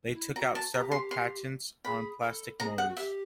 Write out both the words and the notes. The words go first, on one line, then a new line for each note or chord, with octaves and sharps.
They took out several patents on plastic molds.
E4
F#4 A#5
A5
G4 A#5
C6
C6
G#4 B5
A4
G#4 A#5
F#5
F#4
G4 E5